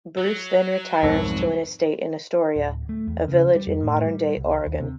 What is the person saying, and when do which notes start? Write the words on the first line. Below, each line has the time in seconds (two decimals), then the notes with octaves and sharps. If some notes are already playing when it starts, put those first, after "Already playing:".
Bruce then retires to an estate in Astoria, a village in modern-day Oregon.
0.18 F#3
1.03 C2 F2 G#2 D#4 A#4 C5
2.56 D1
2.89 A3
3.07 E2
3.28 C#3
3.55 G3
3.67 F2
3.83 A2
4.06 G3
4.37 C2
4.66 D#2
4.80 C3